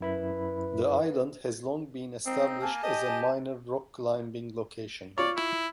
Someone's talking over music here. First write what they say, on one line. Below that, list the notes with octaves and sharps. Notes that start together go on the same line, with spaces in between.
The island has long been established as a minor rock-climbing location.
F#2 E4 B4 B5
C4 D#4
A#3 G#5 A5
G4 D#5
F4 C#5 D5
E4